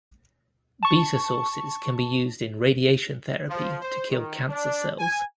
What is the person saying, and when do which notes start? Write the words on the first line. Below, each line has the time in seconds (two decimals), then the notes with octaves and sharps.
Beta sources can be used in radiation therapy to kill cancer cells.
0.83 A5 C#6
3.50 F3
3.81 C5
4.11 D#3
4.49 D4
4.99 G#5